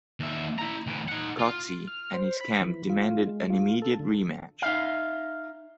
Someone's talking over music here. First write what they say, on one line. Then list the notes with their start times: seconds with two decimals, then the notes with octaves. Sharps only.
Coetzee and his camp demanded an immediate rematch.
0.20 D#2 E5
0.58 E4 A#5
0.87 D2 E3
1.09 D#4 F#5
1.40 F4
1.87 F6
2.14 C5
2.40 B5
2.61 E3
2.90 F4
3.27 G#3
3.50 F4
3.82 A4
3.99 D3
4.62 D#4 E5 F5